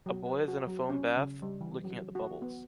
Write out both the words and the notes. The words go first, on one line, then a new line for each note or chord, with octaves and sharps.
A boy is in a foam bath? Looking at the bubbles.
F#3
B4
F#4
F#3
C#4
C#3
G3
E3
F#3
F#4
B3